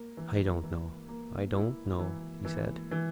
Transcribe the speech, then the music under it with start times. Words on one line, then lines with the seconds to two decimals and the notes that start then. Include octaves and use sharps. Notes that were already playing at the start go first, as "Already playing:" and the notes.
"I don't know--I don't know," he said.
Already playing: A#3
0.17 E3
0.63 E3
1.08 A#3
1.54 E4
1.99 E3
2.45 E3
2.91 E3